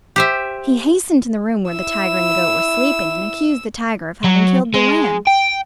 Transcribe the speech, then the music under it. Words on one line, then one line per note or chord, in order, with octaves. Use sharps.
He hastened to the room where the tiger and the goat were sleeping and accused the tiger of having killed the lamb.
G4 C5 E5
E4 E6
F#3
G#3
G5